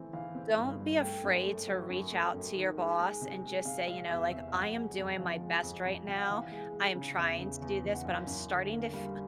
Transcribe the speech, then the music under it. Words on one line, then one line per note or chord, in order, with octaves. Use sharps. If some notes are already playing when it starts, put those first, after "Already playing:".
don't be afraid to reach out to your boss and just say, you know, like, "I am doing my best right now. I am trying to do this, but I'm starting to f
Already playing: E3 A3 C4
E3 F5
C4
G2
G2
A3 G5
F#2
A3
F#3
F#2
A3
F#2
D#3
G#3
G#3
C3
G#3
C3 F5
G#3 F5
E2 E5
C3 E5
F5
F2 F#5
G#3
F2
F3
G#3
F2
F2
C3 G5
F#5
E3 F5
G#3
G#3
C#3
E2 E5
C#3
E2
E3
F#5
F#2 F5
F#2
D3
A#3
G3 F5